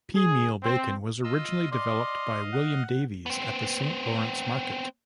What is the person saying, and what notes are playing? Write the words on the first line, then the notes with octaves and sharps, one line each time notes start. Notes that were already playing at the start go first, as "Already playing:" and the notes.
Peameal bacon was originally developed by William Davies at the Saint Lawrence Market.
G#4
C4
F4 D#5 E6
D5 D#5 F5 C6
F#5
B3 C4